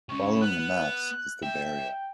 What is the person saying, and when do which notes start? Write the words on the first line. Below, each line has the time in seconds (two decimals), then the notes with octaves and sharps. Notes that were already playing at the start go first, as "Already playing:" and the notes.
Following the mass is the burial.
0.09 C#2 C#3 C#6
0.42 B3 F#6
1.43 E5 G5